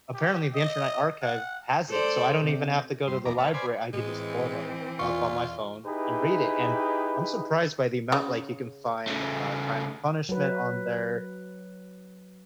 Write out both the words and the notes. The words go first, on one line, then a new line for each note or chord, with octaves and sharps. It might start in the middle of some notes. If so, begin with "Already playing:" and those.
apparently the Internet Archive has it, so I don't even have to go to the library, I could just pull it u up on my phone and read it, and I'm surprised by the amount like, you can find, uh, Crime and Punishment on there,
G4
D#5
F#5
A4 C5 D5
C3
G2 C5
E2 A#2 B3 A#5 D6
B4 C#5 F5 A5
B4 C5 D5 G#5
A2 E3 G#3 C4
E2 A#2 F4 C#6
D#4 E4 G4 G#4 B4
C#3
C#3 A3
F#3 B4